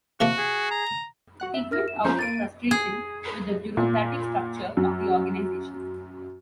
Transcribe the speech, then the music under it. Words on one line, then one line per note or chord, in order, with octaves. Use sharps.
He quit out of frustration with the bureaucratic structure of the organization.
C3 F3 A#3 F#4
G#4
A#5
F#4 F#5 F#6
E5
A#4 F6 A#6
E7
F3 C#4 F4 C5 A#5 G6
A#3 A6 D7 D#7
G#4
A#2
F#2